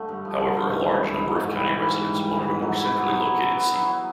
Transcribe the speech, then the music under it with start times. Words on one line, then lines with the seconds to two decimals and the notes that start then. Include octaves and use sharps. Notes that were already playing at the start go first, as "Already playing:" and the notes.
However, a large number of county residents wanted a more centrally located seat.
Already playing: D3 A3
0.09 G2
0.25 F3
0.41 D3
0.56 A3
0.72 G#2
0.87 G3
1.03 E3
1.19 G#2
1.35 G#2
1.51 G3
1.67 E3
1.82 G#2
1.99 G#2
2.15 G3
2.30 E3
2.47 G#2
2.62 F#3
2.78 E4
2.94 B3
3.10 F#3
3.26 F#3
3.41 E4
3.57 B3
3.73 F#3
3.89 F#3